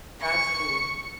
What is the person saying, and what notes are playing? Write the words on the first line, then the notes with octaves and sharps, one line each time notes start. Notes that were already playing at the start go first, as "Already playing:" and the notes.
That's cool.
C#6 C#7